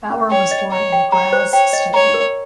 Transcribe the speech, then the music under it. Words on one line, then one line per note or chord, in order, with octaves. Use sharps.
Bauer was born in Graz, Styria.
C#4
C#5 G5
D#5
C#5 A#5
G5
C#5 A#5
C5
C#5 G5
D#5
C#5 A#5
A#4